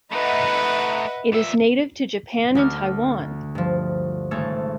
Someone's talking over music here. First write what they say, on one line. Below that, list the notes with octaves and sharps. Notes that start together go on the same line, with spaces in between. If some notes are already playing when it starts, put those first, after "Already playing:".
It is native to Japan and Taiwan.
A3 D#4 B4 D#5 E5 F#5
A#2 E5
D2 D3 F6
G2 F3
G#1 C#3 A3 A4 C#5